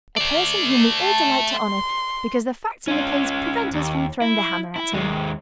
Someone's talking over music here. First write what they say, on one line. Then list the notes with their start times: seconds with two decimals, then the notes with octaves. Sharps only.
A person whom we all delight to honor because the facts in the case prevent us from throwing the hammer at him.
0.17 A3 D5
1.04 A5
1.54 C6
2.88 C#4 F4
3.73 D#2
4.22 E4
4.76 E4
4.93 D#2 G#3